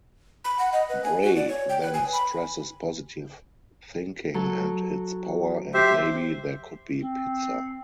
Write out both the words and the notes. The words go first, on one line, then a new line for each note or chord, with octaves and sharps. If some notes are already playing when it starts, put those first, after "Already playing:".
Bray then stresses positive thinking and its power and maybe there could be pizza.
B5
F#5
D#5
B4
G#5
F#4
D5
C#5
G5
B4
G#5
B5
F#3 A4
G4 C5 E5
C4